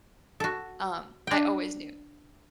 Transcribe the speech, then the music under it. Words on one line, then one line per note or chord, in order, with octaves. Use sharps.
um, I always knew,
F#4 A4
D4 G5